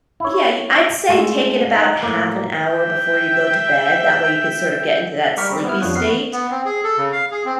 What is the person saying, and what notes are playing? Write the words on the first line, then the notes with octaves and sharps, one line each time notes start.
Yeah, you I'd say take it about half an hour before you go to bed, that way you could sort of get into that sleepy state,
E4 C#5
A#2 G#3 A3
D#4
A2 A#3
E5 G5
G3 G4 A#4 C#6 F6 B6
G3 C4
B3 E4 F6
F2 F3 D4 C#5 D#6 F#6
E2 B3 F#4 B4 F6 C7
B3
C4
G#4
A4
C#3
F5
G#4
C4